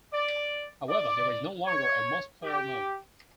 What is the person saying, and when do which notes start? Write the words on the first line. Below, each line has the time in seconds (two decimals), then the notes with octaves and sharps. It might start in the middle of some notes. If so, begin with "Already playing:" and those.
However, there is no longer a multiplayer mode.
0.13 D5
0.90 D5
1.66 C#5
2.43 G4